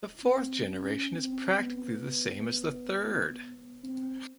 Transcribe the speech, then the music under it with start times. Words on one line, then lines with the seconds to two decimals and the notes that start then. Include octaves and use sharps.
The fourth generation is practically the same as the third.
0.23 C4
0.68 C#4
1.14 C4
1.58 B3
3.84 C4